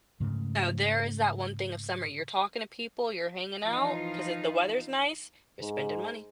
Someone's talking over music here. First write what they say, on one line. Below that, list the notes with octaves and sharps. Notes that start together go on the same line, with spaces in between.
So there is that one thing of summer. You're talking to people, you're hanging out, 'cause if the weather's nice, you're spending money.
G#2 C#3 A3
E3 F3 D#4 F4
G#2